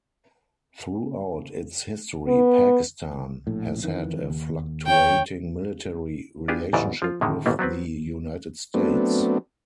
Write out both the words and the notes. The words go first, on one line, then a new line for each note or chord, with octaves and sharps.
Throughout its history, Pakistan has had a fluctuating military relationship with the United States.
B3
A#1 A2
F2 D#3 E3
D#2
C#5 G5
B3 D4 F4 G4 G#4
A1 E2 G#2 C#3 E3 D5
F3 F4
A2 D3 D#3 G#3
A1 D#2 B2 A3 A#3
F#3 B3 C4 B4
F#3 A3 B3 C4 D4